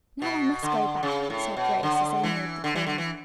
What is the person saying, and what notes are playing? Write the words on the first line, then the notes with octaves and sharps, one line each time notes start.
"Now I must go back," said Grace, as they neared the corner.
B2
D3
C#3
A2
B2
D3
E3
D3
E3
D3
E3